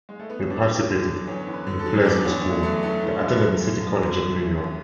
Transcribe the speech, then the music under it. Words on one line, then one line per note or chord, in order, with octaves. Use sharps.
He participated in plays in school, then attended the City College of New York.
G#3
A3
B3
C#4
E2 D4
E2
D3 D4
F#3
E2 C#4
E2
B4
D3
A4
F#3
E2 D4
E2 C#4
D3 A3
F#3 A3
E2 A3
E2
D3
F#3
F#2
F#2
D3
F#3
F#2 A3
F#2